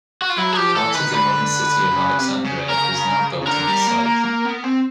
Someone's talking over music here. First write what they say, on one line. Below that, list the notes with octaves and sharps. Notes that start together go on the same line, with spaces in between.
Part of the modern city of Alexandria is now built on the site.
F#4
F4
F#3 E4
G#4
F3 G4
E3 A4
D#3 B4
D#3
D3 B4
C#3
C3
C#3
A#4
C#3
D3 A#4
G3
A#3
A#3
A#3
B3
C4